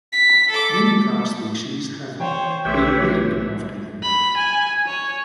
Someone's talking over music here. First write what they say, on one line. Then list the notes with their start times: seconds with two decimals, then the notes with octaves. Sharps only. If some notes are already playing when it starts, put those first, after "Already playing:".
Many plant species have been named after him.
0.12 B6
0.49 A4 D6
2.20 E3 C5 C#5 G5
2.65 B1 A3 G4 B4 C#5 E5 G6
4.02 B5
4.37 G#5
4.87 C#5